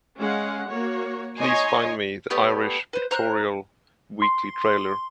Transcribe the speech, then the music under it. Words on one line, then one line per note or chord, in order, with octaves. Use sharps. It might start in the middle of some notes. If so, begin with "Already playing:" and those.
Please find me the Irish Pictorial Weekly trailer.
G#3 C#4 F5 F#5
A#3 F#4 C#5
D#4 C#5 D#5 G#5 C6
A3 B3 G4 D5
B4 C5
C5 A#5 F6 F#6
C6